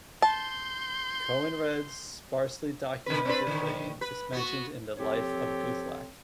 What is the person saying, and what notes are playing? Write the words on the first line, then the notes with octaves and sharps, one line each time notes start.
Coenred's sparsely documented reign is mentioned in the "Life of Guthlac".
A5 C6 G6
D3 B4
C4 D4 B4
D3 D#3
B4
B3 F#4
F3 C4 G4 A4 C#5